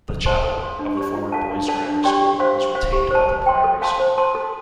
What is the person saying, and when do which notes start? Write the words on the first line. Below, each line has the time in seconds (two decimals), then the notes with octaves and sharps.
The Chapel, of the former Boys Grammar School, was retained by the Priory School.
0.09 A4
0.26 C5 A5 C6
0.44 A4
0.61 F5 C6
0.79 D4
0.97 G4 D5
1.15 F4
1.32 A4 F5 A5
1.51 D4
1.68 A4 D5 F5 A5
1.86 D4
2.04 G4 D5 G5 C6
2.22 G4
2.40 C5 F5 C6
2.58 G4
2.75 C5 F5
2.93 G4
3.11 C5 A5
3.28 C5
3.46 G5 C6
3.64 A4
3.82 F5 A5 C6
4.00 C5
4.18 A5 C6
4.35 A4